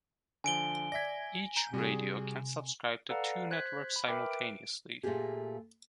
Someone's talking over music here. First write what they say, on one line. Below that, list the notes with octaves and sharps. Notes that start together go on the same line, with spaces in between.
Each radio can subscribe to two networks simultaneously.
D3 F3 G#5 D7 G7
D5 E5 G#6 A#6 B6
A#5 G6
C3 G3 F#4 G#4
A4 B4 D5 F5 F#5 A#5
C5 F#6 G#6 B6
B5
A#4 B4 E5 G5 D6
D7
A#2 A3 A#3 F4 G4 G#4